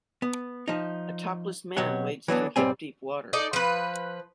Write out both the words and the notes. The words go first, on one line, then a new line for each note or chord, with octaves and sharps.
A topless man wades through hip deep water.
B3
F3 D#4
B2 F#3 G4 C#5 F#5
E3 F#3 B3 D4
B1 G#2 G3 C4 G#5
D#4 A4 D5
F3 B4